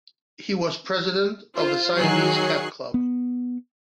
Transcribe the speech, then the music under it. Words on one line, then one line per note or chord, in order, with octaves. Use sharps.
He was president of the Siamese Cat Club.
F4 C5
D#3 F#3 G#4 C#6 F#6 C7
B3